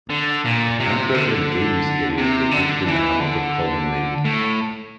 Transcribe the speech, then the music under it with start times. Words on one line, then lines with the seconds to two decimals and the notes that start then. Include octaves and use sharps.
A campground and day use area is located in the hamlet of Calling Lake.
0.10 D3
0.45 A#2
0.80 C3
1.14 D3
2.18 C3
2.52 D3
2.87 E3
3.20 D3
4.25 A2